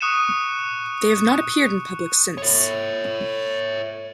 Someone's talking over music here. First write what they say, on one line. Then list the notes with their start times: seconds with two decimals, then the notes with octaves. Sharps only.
They have not appeared in public since.
0.01 C#6 D#6 F#6 C#7 D#7 E7
2.38 C#5 E5